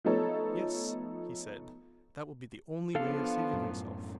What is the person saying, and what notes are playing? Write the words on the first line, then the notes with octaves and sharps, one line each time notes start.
Yes, he said, that will be the only way of saving himself.
F3 A3 B3 D#4 A4 C#5
F3 B3 D4 A4 F5
F#2 A2